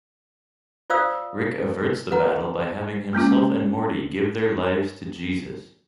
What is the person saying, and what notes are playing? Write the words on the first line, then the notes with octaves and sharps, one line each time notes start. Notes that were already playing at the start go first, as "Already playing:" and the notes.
Rick averts the battle by having himself and Morty give their lives to Jesus.
F4 C5 D5 F5 D#6 E6
B4 F#5 A#5
G#3 A#3 C#4 F4